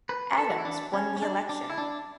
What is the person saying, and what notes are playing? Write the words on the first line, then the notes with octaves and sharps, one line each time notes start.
Adams won the election.
B4
A4
F#4
E4
D4
C#4
C#4
D4
D4
E4
D4